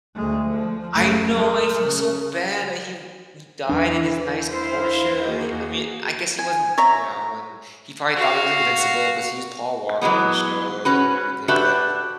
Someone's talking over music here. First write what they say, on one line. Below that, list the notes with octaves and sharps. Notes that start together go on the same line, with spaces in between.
I know, I feel so bad that he v He died in his nice Porsche, he I mean, I guess he wasn't you know, and he probably thought he was invincible 'cause he was Paul Walker on the show and everything, but
D2 G#3 A3
F3
F#1 A3
G#3 A#4
C#3
E2 E3 D4
E4 C5 F5
A#3 F#4 G#4
G#5
C#5 E5 A#5
F#4 F5
E3 F#3 G#3 B3
C#4 F#4 B4
D4 F#4 G4 A4 B4 E5